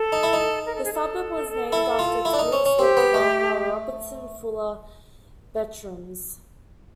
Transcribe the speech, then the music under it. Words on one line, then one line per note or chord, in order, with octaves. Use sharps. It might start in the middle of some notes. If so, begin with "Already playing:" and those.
The suburb was named after its real estate developer Robertson Fuller Bertrams.
Already playing: A4
D#4
E4
D#4
A#4
A4
G#4
A4
E4
F4
E4
D4
D#4
C#4
C#4
C4 G4
B3
A3